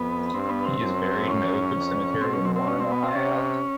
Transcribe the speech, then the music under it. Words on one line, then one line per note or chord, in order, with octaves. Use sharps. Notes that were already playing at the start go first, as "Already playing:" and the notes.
He is buried in Oakwood Cemetery in Warren, Ohio.
Already playing: F2 B3
G2 C4
B3
C4
F#2
C#4
F2
B2 C4
C#4
C4
C4
C#4
C4
B3
C4
C3 C#4